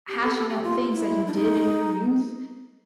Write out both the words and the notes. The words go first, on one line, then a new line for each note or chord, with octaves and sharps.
hashing out things that you did in your youth,
G4
A4
A4
G4
F4
E4
D4
D#4